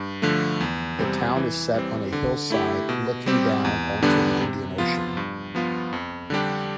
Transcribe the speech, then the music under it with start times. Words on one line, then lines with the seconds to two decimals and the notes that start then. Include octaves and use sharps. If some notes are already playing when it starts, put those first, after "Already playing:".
The town is set on a hillside looking down onto the Indian Ocean.
Already playing: G2
0.22 D3 F3 A3
0.61 E2
0.99 C3 G3 C4
1.36 E3
1.74 G3 C4
2.12 D3
2.50 A3 E4 G4
2.89 B2
3.26 G3 C4 G4
3.65 E2
4.02 D3 G3 B3 D4
4.41 C3
4.78 F3 B3 F4
5.17 G2
5.55 F3 B3 F4
5.93 F2
6.30 D3 G3 D4 G4